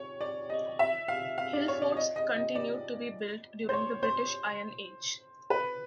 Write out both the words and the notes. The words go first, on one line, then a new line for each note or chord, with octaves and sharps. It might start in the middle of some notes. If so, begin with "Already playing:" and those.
Hillforts continued to be built during the British Iron Age.
Already playing: C#5
D5
D#5
E5
F5
F5
D5
C#5
D5
D#5
D#5
D#5
D5
C5
C#5
C5
B4